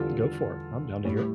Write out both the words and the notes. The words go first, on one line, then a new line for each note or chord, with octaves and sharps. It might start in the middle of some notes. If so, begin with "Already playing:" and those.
Go for it, I'm down to hear it.
Already playing: E2 D3 G3 F4 A4
A2 G3